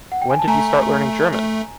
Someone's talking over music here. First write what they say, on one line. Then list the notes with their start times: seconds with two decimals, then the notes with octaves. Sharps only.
When did you start learning German?
0.12 F#5
0.22 G5
0.30 G#5
0.39 A5
0.48 A3 G#5 A#5
1.32 A3